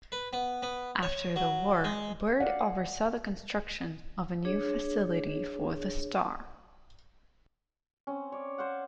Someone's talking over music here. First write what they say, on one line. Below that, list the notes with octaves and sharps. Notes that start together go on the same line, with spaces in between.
After the war, Byrd oversaw the construction of a new facility for the "Star".
B4
B3
B3
C#5
F#3
G#3
D5 F5 F#5
D4 G#4 C#5
C4 C#4
C#5 D5
C5 C#5 F5 F#5